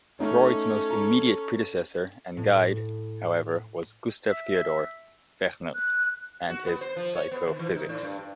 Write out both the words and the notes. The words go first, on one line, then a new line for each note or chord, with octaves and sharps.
Freud's most immediate predecessor and guide however was Gustav Theodor Fechner and his psychophysics.
A3 C#4 D#4 A4 C#5
A#5
A2
E5
F#6
F#4
B3
C5
F3
C#5
B3
D#3
E3
D#4
A2
G2
G2